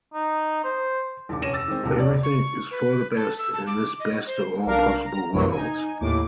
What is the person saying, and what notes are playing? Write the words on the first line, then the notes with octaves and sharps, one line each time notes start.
Everything is for the best in this best of all possible worlds.
D#4
C5
A#1 D#2 D6
F1 C#4 C#5 A#6 D#7 E7
E6 A6 A#6
D#3 G#3 C4
A#1 D#2 G#2 C3
F1 C#5 D5
C#6
B4
A4
E6
A5
D6
D#5
C5
B1 D4 A#4 F5
A#5
A#1 F#2 C3 E3 F#3 A#3
D#4 G#5
D#2 A2 D6